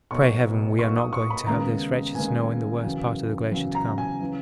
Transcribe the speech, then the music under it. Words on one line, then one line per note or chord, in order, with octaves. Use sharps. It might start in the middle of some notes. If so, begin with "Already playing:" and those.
Pray heaven we are not going to have this wretched snow in the worst part of the glacier to come.
B1 B2 A#3 C#6
B1 B2 A#3 C#6
D#6
C#6
B5
D#2 C#3 G#3 B3 A#5
D#2 C#3 G#3 B3 G#5
E2 C#3 F#3
E2 C#3 F#3
A#5
G#5
C#3 E3